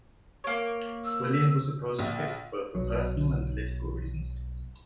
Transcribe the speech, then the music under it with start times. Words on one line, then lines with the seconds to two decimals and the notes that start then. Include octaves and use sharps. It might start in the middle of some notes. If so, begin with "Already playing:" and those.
William was opposed to this both for personal and political reasons.
0.44 A#3 C#5
1.05 E6
1.99 A#1
2.75 B1 F#3